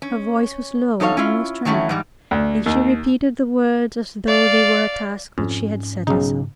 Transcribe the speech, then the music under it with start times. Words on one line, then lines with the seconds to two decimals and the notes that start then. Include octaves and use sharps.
Her voice was low and almost trembling, and she repeated the words as though they were a task which she had set herself.
0.02 C#4
1.00 E2 D#4 A4 C#5 F5
1.17 C#4 E4 F4
1.65 D#3 F#3 A3 C#4 E4
1.89 G#2 E3 G3
2.31 D2
2.66 D#2
4.27 D5 F5
5.38 F2 G#2 C#4
6.07 B1 C#3 D#4